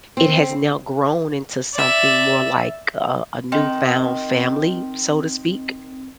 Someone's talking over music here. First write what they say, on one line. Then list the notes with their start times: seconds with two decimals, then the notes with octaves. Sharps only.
it has now grown into something more like a a newfound family, so to speak.
0.17 C4
1.74 D5 E5
3.52 D#3 C4